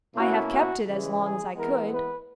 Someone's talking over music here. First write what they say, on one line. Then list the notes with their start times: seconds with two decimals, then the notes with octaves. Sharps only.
I have kept it as long as I could.
0.14 B2 A#3 C#4 E4 F#4
0.49 F#4
0.86 C#3 E3 G#3
1.20 G#4
1.55 E3 G#3 B3 E4 A#4
1.90 B4